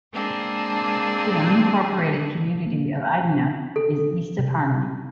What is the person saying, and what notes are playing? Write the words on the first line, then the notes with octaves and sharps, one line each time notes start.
The unincorporated community of Eidenau is east of Harmony.
G#3 A#3 C4 D4 G#4
A#3
A4
C3